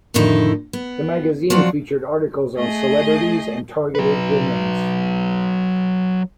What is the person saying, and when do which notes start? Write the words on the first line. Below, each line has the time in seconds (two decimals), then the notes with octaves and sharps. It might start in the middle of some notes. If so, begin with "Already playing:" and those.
The magazine featured articles on celebrities and targeted women's.
0.14 F2 A2 D3 D#3 D#4 E4
0.73 B3
1.50 F3 F#3 C4 F4 F#4 D5
2.56 A3 G#4 D#5
3.95 F#3 B4